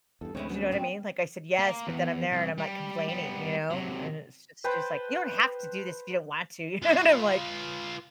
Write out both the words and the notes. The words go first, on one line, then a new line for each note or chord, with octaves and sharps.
do you know what I mean? Like, I said, "Yes," but then I'm there, and I'm, like, complaining, you know, and it's it's just like, "You don't have to do this if you don't want to," you know, and I'm like,
E2 G2 A4
D2 G2 G#3 C4 C#4 E4 C#5
F#3 B3 C#4
B3 C4 D4
A#3
E2
C2
G3
G3 B3
C3 F#3
B4 C5 G5 A5
F4 B4